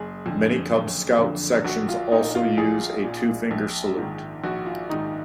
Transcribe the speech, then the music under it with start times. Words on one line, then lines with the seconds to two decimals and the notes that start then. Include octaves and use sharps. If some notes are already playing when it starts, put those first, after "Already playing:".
Many Cub Scout sections also use a two-finger salute.
Already playing: F#1 G#4
0.26 F2 D3
0.72 F#1
1.18 F2 D3
1.65 A#1 F#4
1.89 F4
2.12 A#2 D#4
2.35 F4
2.58 A#1 G#4
3.05 A#2
3.51 A#1
3.97 G#2 D#3
4.43 A#1 F#4
4.66 F4
4.89 G#2 D#3 D#4